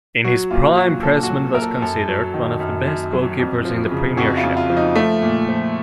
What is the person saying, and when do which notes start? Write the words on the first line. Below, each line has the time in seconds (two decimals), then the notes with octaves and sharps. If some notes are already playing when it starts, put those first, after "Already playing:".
In his prime, Pressman was considered one of the best goalkeepers in the Premiership.
0.25 F#3 F#4
0.51 A#2 F4
0.77 F#3 F#4
1.03 A#2 A4
1.23 F#4
1.30 F#3
1.54 A#2 A#4
1.62 A4
1.82 F#2 A4
2.08 F#3
2.34 D#3
2.60 F#2
2.87 F#2
3.13 F#3
3.39 F2
3.65 F3
3.91 C#3
4.17 F2 F#4
4.37 F4
4.43 F2
4.57 F4
4.70 F3
4.77 D#4
4.96 F3 A3
5.22 A#2
5.49 F3